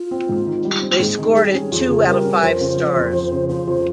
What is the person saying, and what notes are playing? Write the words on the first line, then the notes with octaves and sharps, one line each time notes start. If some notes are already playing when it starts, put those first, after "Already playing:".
They scored it two out of five stars.
Already playing: F4
C4
G#2
D#3
G3
C4
G#2 G#4
D#3
G3 G#4
C#4
F2
C#3
G3 A#4
C#4
F2 C5
C#3
F3
F2
F2
C#3
F3 C5
F2